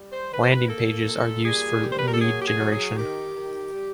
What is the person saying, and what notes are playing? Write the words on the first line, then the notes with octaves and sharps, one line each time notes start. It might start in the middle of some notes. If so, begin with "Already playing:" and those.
Landing pages are used for lead generation.
Already playing: G3
C5
D#3 B4
C5
B4
A#3 A4
A#2
G3 G#4
A#3 G4
C5
B4
A#4
A4
F#3 G#4
G4
G#4
F#3
G#4
D#3 G4
D#3
G3